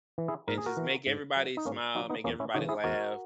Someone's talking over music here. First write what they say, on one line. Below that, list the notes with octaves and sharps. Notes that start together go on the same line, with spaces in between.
and just make everybody smile, make everybody laugh.
E3
E4 G#4
G#2 A#4
G#4
F#4 A#4
E3
G#2
F#3
D#4
G#2 A#3 C#4
F#3 D#4 F#4
B3 D#4
E2 A#3 C#4
C#4 E4
C#3 E3 D#4 F#4
E4 G#4
E2 F#4 A#4